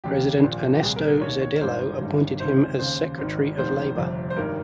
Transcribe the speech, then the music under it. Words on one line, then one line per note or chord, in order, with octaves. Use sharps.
President Ernesto Zedillo appointed him as Secretary of Labor.
F1 D#2 C#3 G4
A#1 A#2
G4
C2 A#2 G#4
A#4
D#2 D#3 C#5
C#5
A#4
G#1 G2 D#3 C5
G1 G2 D#3
C#2 C3 D#3 C5
D#2 C#3 C5
G#1 G#2 D#3
F1 D#2 D#3 C5
G1 F2 C3
C5
G#1 G2 D#3 A#4